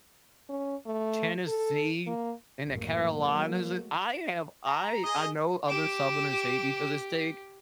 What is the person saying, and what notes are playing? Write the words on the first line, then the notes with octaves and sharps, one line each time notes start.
Tennessee and the Carolinas. I have I I know other Southerners hate me for this take,
C#4
A3
A4
A#3
A#1 F#2 A2 A#3
F#3 G#3 A3
A#5
G#4 D#5
G4 D6 E7